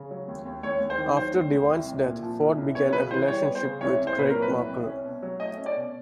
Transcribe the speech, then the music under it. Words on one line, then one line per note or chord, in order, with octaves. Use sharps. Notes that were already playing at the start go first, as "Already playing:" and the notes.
After Divine's death, Ford began a relationship with Craig Markle.
Already playing: C#3
F#3
D#2
D#2
D#2 C#5
D#2
C5
D#3
F#3 C5
D#2
D#2
C2
C2
A#2
F3
C2
C2
B3 C#5
C#3 B4
E3 C5
G3 C#5
B3
C5
C#3
C2 C#5
C2
C5
A#2 B4
F#3 A#4
B4
C2
C2
C#4
B2
F#3
A3 D#5
C#4
D5
B2